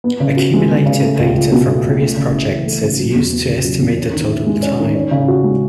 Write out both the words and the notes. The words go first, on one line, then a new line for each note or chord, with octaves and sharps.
Accumulated data from previous projects is used to estimate the total time.
B3
C#3
F#4
G#3
B3
C#3
A3
C#2
C#2
B2
A3
C#2
A3
C#3
E4
E3
A3
C#3
F#3
E2
B3
C#3
F#3
E2
C#4
D#3
E4
G#3
C#4
D#3
C#4
C#3
F#4
G#3